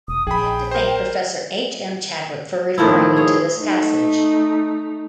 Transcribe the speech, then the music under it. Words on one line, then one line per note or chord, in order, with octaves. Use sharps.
I have to thank Professor H. M. Chadwick for referring me to this passage.
E1 D#6
A#1 G#4 G5 B5
A#4 C5
A2 D#3 F3 E4
G#4 C#5
A3 D#4